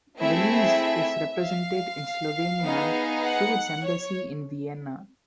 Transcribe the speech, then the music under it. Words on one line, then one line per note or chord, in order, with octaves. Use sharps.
Belize is represented in Slovenia through its embassy in Vienna.
A3 C4 E4 G#4 E5
F5
B3 D#4 G#4
F#5
C#5